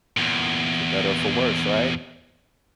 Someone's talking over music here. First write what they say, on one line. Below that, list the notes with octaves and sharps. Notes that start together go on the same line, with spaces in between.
For better or for worse, right.
E2 A#2